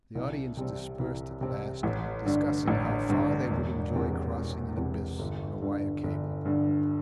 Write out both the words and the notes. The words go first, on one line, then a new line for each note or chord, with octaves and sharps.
The audience dispersed at last, discussing how far they would enjoy crossing an abyss on a wire cable.
C2
C3 G3 C4
C2
C3 G3 C4
A1
G2 D3
A1
G2 D3
E1
E2 C3
E1
E2 C3
G1
G2 D3
G1
G2 D3